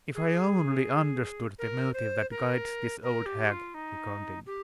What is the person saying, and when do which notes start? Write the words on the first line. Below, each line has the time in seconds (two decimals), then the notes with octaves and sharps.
"If I only understood the motive that guides this old hag!" he continued.
0.14 G#4
1.58 A#4
1.93 C5
2.30 A#4
3.02 A#4
3.25 G4
3.50 F4
3.74 D#4
4.46 G4